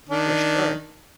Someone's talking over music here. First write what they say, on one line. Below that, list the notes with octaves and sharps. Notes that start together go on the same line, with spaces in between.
For sure.
D#3 D4